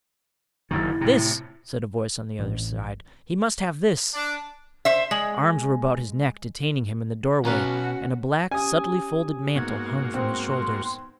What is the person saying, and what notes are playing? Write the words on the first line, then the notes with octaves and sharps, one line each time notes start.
"This," said a voice on the other side, "he must have this." Arms were about his neck detaining him in the doorway, and a black subtly-folding mantle hung from his shoulders.
F#1 F#2 D#3 E4
A2 C3
A1
D4
C5 E5
G#3
B2 C#4 F#4 B4 F5 A#5
C#4 G4 G#5 D#6
G#2 A#3 B3 D#4 F#4 G#6
C4 C6